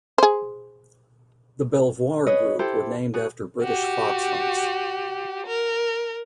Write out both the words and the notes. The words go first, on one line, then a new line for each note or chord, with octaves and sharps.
The "Belvoir" group were named after British fox hunts.
G#4 C5
G#4 B4 C#5 D#5
E4 G4 A4 C5
F#4 G#4
F#4 G4
A#4